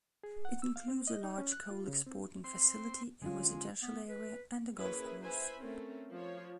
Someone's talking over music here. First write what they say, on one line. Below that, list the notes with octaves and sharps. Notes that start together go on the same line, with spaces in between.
It includes a large coal exporting facility, a residential area, and a golf course.
G#4
F#5
E6
F5
C4
D#5
D#4
C#4
F#6
F4
C#3
C4
C4 C6
D3 G#3 C#4 F4
B3
B4
A#3 C#4 E4 G#4 A#4 B4
E4 B4 C5 E5 G#5 B5
A3 C4 C#4 A#4
F3 C#5